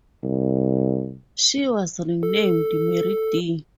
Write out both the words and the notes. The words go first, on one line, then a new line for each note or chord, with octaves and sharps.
She was renamed "Mary D".
C2
A4